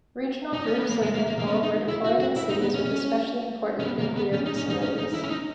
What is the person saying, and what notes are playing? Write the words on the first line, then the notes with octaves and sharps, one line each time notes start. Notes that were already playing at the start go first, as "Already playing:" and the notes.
Regional groups of Vympel were deployed in cities with especially important nuclear facilities.
D#4
C#4
B3
A#3
G#3
A#3
A#3
A#3
C#4
B3
D#4
E4
F#4
F#4
E4
D#4
B3
C#4
C#4
C#4
B3
A#3
B3
C#4
D#4
C#4
D#4
C#4
D#4
E4
C#4
D#4